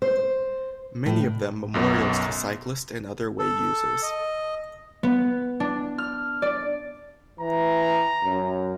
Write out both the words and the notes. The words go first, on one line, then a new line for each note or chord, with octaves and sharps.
Many of them memorials to cyclists and other way users.
C5
A2
B1 F#2 B3
A4
D#5
B3
D4
F6
D5
E3 A#5
F#2